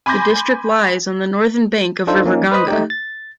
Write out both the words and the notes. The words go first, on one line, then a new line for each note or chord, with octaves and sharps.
The district lies on the northern bank of river Ganga.
G#5 B5 C6 D6 G6 A#6
D4 D#4 F4 A4 C5
F3 A#3 C#4 D#4
B4 C5 D#5 B5 D#6
A3 D#4 G4
A6